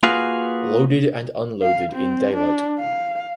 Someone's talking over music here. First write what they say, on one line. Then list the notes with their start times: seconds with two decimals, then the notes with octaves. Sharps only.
Loaded and Unloaded in Daylight.
0.03 A#3 F4 F#4 G#4 B4 F5
1.63 F5
1.94 C4
2.34 D4
2.80 F5